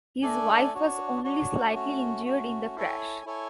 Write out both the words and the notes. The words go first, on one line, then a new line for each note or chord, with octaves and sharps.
His wife was only slightly injured in the crash.
A3 D4 A4 D5 G#5
D4 F#4 C#5
D4 F#4 C#5
A3 C#4 F#4
A3 C#4 F#4
E4 A4 C#5 G#5
E4 A4 C#5 G#5